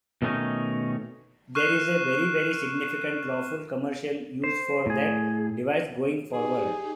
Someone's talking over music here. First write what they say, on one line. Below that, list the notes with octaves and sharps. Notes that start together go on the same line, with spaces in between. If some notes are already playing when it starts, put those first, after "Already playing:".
There is a very, very significant lawful commercial use for that device, going forward.
B2 D#3 A3 B3 C#4 D#4
C#6 F6 F#6 C7 E7
C5
A2 G#4
D#4 G4 G#4